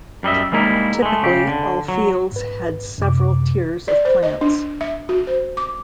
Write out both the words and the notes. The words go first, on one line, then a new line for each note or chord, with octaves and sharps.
Typically, all fields had several tiers of plants.
F#2 G3 D#4 D#5 E5
G3 G#3 A#3 D#4 E4
G#3 A3
C#3 G4
D3
F#3
G#2 B4
F#2 C3 D6
D5
C5
D#5
D4
E5
F#4
C5
D6